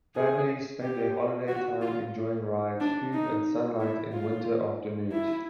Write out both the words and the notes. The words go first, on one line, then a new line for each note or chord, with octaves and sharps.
Families spend their holiday time enjoying rides, food and sunlight in winter afternoons.
G#4
G4
F#4
F4
D4
D#4
E4
F4
E4